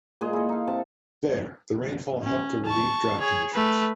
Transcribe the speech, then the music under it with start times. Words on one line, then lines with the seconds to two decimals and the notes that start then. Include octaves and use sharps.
There, the rainfall helped to relieve drought conditions.
0.21 A#2 G#3 G#4 D#5
0.33 E4 A4
0.49 D#4 F5
0.67 C3 A5
2.23 C#4
2.66 A5 C#6
3.21 G#4 C#5
3.54 A3 B4